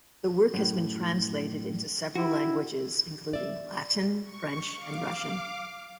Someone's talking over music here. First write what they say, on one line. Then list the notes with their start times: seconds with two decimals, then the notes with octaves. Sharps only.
The work has been translated into several languages including Latin, French and Russian.
0.54 F#2 A2
2.15 E4 F#4 G4
3.33 D5 E5
4.24 C#6
4.74 F5 D6